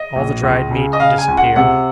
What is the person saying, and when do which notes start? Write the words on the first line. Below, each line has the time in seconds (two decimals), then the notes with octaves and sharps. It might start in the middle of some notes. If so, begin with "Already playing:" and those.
All the dried meat had disappeared.
Already playing: D#5
0.16 A#1
0.43 C#2
0.71 C#3
0.93 D#5
1.00 C#3 F5
1.18 G#5
1.28 C#2
1.37 F#5
1.56 C3 F#5